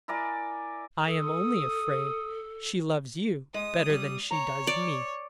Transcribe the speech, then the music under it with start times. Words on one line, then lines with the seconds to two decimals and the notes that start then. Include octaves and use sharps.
"I am only afraid she loves you better than she does me."
0.08 E4 A#4 D5 G#5
1.06 A4 D#6
3.54 G#3 D#6
3.90 G3
4.31 C#5 A#5
4.67 D5